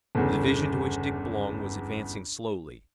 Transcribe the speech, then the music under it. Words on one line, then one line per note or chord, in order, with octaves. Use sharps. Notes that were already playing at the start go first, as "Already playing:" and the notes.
The division to which Dick belonged was advancing slowly.
G1 E2 C#3